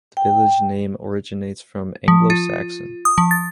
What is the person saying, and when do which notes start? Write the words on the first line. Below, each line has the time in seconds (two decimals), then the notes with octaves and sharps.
The village name originates from Anglo Saxon.
0.17 G5
2.08 F3
2.30 F4
3.05 D#6
3.18 F3
3.31 A6